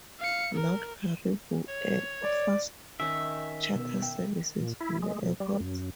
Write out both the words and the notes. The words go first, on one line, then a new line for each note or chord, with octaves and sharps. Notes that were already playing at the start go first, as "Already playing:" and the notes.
North Cariboo Air offers charter services from the airport.
F5 C#7
A#4
C#5
D5
D#3 C#4 D#4 E5 G#5
B2 B3
G5
A#2
E4
G#3
B2
G3
F#2